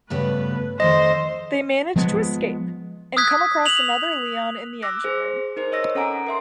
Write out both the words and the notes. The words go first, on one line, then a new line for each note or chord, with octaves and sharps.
They manage to escape and come across another Leon in the engine room.
G2 C#3 A3 B3 B4
F2 D#3 A3 C5 D#5 C6
F3 G#3 B3
D#6 E6 F#6 G#6 B6
F7 F#7
D6 E6 F#6 A#6
G#4 C5
D#4 A#4 C5
C#5 D#5 E6 A#6
C#4 A4 F#5 G#5 A#5 D7
A#4 E5 C6